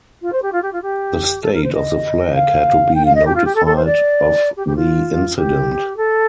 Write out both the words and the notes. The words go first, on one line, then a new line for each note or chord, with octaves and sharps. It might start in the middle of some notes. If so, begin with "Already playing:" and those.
The state of the flag had to be notified of the incident.
F4
C5
G4
F4
G4
F4
G4
A4
A#4
C5
D#5
F5
G5
F5
D#5
G4
F4
G4
A4
A4
C5
D5
G4
G4
F4
G4
A4